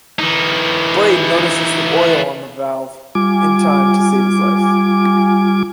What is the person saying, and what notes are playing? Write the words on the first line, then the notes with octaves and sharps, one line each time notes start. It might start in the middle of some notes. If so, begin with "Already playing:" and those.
Brade notices the oil on the valve in time to save his life.
E3 D#4
G3 F4 G#5 D6